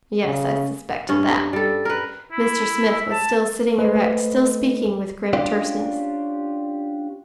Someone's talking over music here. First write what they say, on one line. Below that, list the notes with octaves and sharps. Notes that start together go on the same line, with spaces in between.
"Yes, I suspected that." Mr. Smith was still sitting erect, still speaking with grim terseness.
C#3
G2 C#4
G3 A4
A#4 B4
E4
E5
A5
A3 B4 C5 D#5
C#4 D4 F4 G4 D5